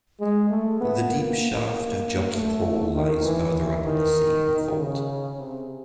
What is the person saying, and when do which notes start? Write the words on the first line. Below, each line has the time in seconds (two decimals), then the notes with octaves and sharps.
The deep shaft of Jockey Hole lies further up on the same fault.
0.20 G#3
0.50 A3
0.81 B3
1.11 A#3
1.41 A#3
2.32 A3
2.94 D#3
3.24 E3
3.85 D#3
4.78 C#3
5.38 C3